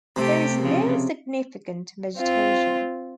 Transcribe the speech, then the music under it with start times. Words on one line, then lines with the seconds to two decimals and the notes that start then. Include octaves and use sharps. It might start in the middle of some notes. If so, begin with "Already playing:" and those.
There is no significant vegetation.
0.16 C3 A3 G4
0.62 C#3 F3
2.17 C4 F4